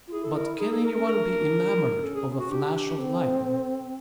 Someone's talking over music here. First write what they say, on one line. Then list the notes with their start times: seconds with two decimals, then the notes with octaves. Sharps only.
But can any one be enamoured of a flash of lightning?
0.08 F4
0.12 E4 G#4
0.24 A4
0.36 A#4
0.60 D#4 G#4
0.72 A4
0.84 A#4
0.95 C#4 A#4
1.07 D4 A#4
2.03 C#4 A4
2.15 G#4
2.39 F#4
2.50 D4 G4
2.98 C4 A4